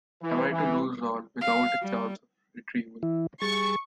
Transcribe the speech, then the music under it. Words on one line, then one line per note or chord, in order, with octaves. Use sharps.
Am I to lose all, without a chance of retrieval?
E3
E3
F5
G3
E3 E4
G3 G#4 C#6 A6